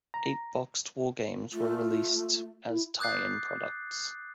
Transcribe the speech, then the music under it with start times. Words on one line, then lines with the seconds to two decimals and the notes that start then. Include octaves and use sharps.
Eight boxed wargames were released as tie-in products.
0.14 A#5
1.53 A3 F4
2.69 E4
2.99 D6 D#6 F#6 G6 A6 C7